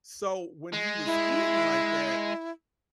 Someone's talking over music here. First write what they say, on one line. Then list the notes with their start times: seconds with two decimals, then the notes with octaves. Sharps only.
So when he was eating like that,
0.73 G#3
1.06 E4